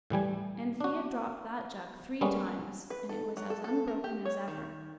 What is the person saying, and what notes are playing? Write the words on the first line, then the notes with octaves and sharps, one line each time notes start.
Anthea dropped that jug three times, and it was as unbroken as ever.
A2 E3 G3 G#5
D4 F#4
G3 G#3 A#3 B3 C#4
B4
A4
F#3
A4
A4
A#4
G4
C#5
D#3